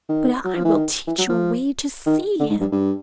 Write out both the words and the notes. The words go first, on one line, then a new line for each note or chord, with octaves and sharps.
But I will teach you a way to see him.
D#3
F#3
F3
E3
D#3
E3
F#3
F3
D#3
D3
G#2
G2
G2